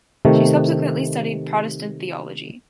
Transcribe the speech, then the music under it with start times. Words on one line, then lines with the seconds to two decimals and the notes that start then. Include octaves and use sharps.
She subsequently studied Protestant theology.
0.25 C3 D#3 A3